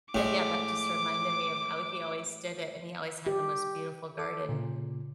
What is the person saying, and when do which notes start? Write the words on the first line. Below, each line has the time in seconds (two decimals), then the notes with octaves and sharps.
uh, yeah, that just reminded me of how he always did it, and he always had the most beautiful garden.
0.15 A2 G#3 D6
3.27 G4
4.18 A4 D6
4.49 A#2 C#3